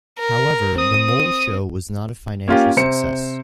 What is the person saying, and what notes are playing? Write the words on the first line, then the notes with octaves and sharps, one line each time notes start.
However, the Mole Show was not a financial success.
A#4
C4 D#6
A#3 C#4 F4 G4
C3 C5 C#7